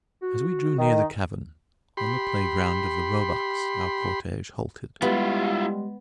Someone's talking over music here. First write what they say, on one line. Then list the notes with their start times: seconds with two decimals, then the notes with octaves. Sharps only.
As we drew near the cavern, on the playground of the roebucks, our cortege halted.
0.22 F#4
0.79 D#3 D#4
1.97 G4 B5 C6
5.02 G3 G#3 B3 E4 F4 G4